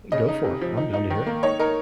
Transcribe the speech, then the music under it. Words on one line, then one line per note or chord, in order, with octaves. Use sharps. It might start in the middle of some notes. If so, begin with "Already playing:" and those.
Go for it, I'm down to hear it.
C#3 D#5
D#4
C3
F3
D#4
D#4
D#3
A#3
D#4 C#5
D#4 A#4